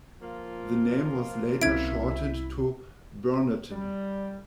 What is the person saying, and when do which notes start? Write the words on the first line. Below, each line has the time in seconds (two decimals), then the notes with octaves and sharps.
The name was later shortened to "burnotan".
0.21 F3 A#3 F4
1.62 C2 C4 C#4 E4 G#6 D7
3.72 G3